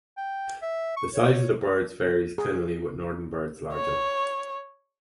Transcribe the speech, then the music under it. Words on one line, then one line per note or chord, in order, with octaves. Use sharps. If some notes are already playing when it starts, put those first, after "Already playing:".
The size of the birds varies clinally with northern birds larger.
G5
E5
C#6
C#5
G#4
C#5